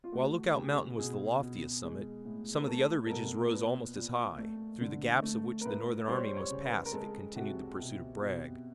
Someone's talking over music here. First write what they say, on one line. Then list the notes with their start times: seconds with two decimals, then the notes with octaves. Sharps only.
While Lookout Mountain was the loftiest summit, some of the other ridges rose almost as high, through the gaps of which the Northern army must pass if it continued the pursuit of Bragg.
0.04 F4
0.12 A3 F#4
0.55 C#3 G4
0.97 B2 G#4
1.40 B2
1.83 G#3
2.25 A2
2.59 A#4
2.67 A3 A4
3.06 A4
3.10 B2 A#4
3.52 A#2 B4
3.95 A#2
4.38 A3
4.81 D3
5.22 A3
5.61 A#4
5.65 A2 B4
6.08 G3 C5
6.15 C#5
6.24 C5
6.37 C#5
6.50 C#3
6.65 B4
6.85 A#4
6.93 G#3 A4
7.35 C3 F#4
7.78 B2
8.21 B2